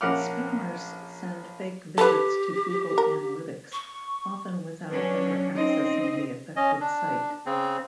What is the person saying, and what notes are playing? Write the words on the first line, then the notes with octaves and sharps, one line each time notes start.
Spammers send fake visits to Google Analytics, often without ever accessing the affected site.
A#1 C#4 A#4 F#5 D6 F6
G4 A4 B4
A#4
C#6
F#3 C#4 D4 B4
C4 C#4 D#4 D#5
C#4 D#5
D4
C#3 C4